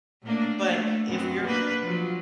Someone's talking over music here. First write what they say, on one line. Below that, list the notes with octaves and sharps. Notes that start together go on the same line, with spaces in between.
but if you're
A2 A#3 D4
A3
F#2 B3 C4
A#3 D4 B4
F3 F#3